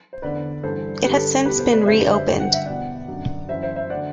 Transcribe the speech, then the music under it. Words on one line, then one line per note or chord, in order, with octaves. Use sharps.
It has since been re-opened.
C5
E2 D3 B4 D5
G2 E3 A4 C5
G2 D3 G4 B4
A4
E2 B2 G4 B4
A4 C5
B4 D5
F#2 D3 C5 E5
B4 D5
C5 E5
G2 D3 G5
F#5
E5
E2 B2 D5 F#5
F#2 D3
F#2 E3 C5 E5
C5 E5
C5 E5
D3 D5 F#5